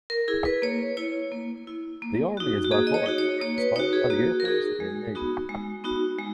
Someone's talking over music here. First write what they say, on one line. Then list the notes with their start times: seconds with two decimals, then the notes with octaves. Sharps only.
The Army is by far the largest, followed by the Air Force and Navy.
0.10 A#4
0.28 E4 G#4
0.45 B4
0.62 A#3 C#5
0.97 E4 C#5
1.32 A#3
1.67 E4
2.02 A#3
2.37 D#4 F#4
2.65 F#4
2.71 A#3 G#4
2.87 D#5
2.94 C#5
3.06 D#4 F#4
3.18 C#5
3.41 A#3 C#5
3.58 B4
3.76 D#4 F#4 C#5
3.93 G#4
4.10 A#3 F#4
4.40 A#4
4.45 D#4 F#4 G#4
4.80 G#3
5.15 B3 D#4 F#4
5.49 G#3
5.84 B3 D#4 F#4
6.19 G#3